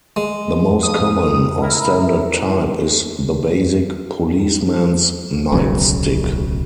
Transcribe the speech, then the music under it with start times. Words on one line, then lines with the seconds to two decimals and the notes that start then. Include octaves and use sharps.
The most common, or standard type is the basic "policeman's nightstick".
0.16 G#3
0.83 F2 D#6
1.61 E4 A#4
5.52 D1 B1 C#3 F#3